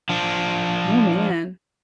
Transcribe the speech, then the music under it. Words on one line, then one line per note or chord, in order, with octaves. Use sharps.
Oh man.
F3 D4